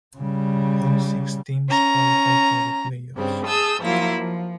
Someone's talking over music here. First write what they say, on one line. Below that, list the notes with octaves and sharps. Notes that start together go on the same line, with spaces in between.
All six teams qualify for the playoffs.
C#3 G3
C#4 A#5
G2 C#3 G3 C4
G#4 A5 D#6 E6 G6
F3 F#3 A#3 E4 F4
F3